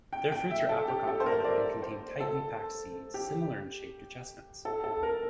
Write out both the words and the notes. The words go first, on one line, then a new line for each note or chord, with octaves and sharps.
Their fruits are apricot-coloured and contain tightly packed seeds, similar in shape to chestnuts.
G5
G5
E5
A4
G4
A4
C5
A#4
D5
C5
A4
G4
A4
A4
A#4